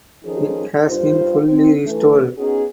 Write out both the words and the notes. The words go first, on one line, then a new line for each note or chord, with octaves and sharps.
It has been fully restored.
D#3 F3 C#4 D#4 G#4 A4
G2 F4 C5
C4
E3 A3
B3 C#4 D#4 F#4 G#4